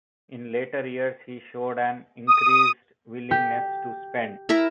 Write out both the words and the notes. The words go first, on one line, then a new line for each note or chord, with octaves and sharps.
In later years, he showed an increased willingness to spend.
D#6
G4
E4 A#4 E5